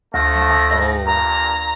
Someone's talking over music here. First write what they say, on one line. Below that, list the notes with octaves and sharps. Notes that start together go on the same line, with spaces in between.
Ha Oh.
D2 F3 A3 A#6
G2 A#2 A#5